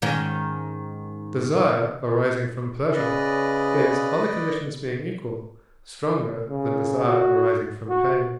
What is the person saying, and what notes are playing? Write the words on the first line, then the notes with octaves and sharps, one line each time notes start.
Desire arising from pleasure is, other conditions being equal, stronger than desire arising from pain.
G#2 D#3 C#4
C#3 B4 D5 D#5
C#3
F#4
F#4